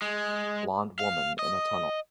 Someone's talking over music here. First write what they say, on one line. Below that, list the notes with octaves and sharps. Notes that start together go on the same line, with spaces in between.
Blond woman in a tunnel.
G#3
F5
D#5